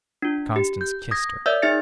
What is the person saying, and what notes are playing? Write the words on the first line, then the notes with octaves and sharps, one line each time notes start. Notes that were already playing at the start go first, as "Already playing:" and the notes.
Constance kissed her.
D4 F4
G4
G6
D#6 G#6 A#6
A#4 C#5 D5 E5 E6 G6
D#4 G#4 E5 A6 C#7